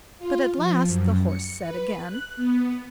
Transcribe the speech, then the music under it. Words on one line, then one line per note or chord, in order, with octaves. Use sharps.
But at last, the Horse said again.
F4
F3
F#2
C#7
B4
F#6
B3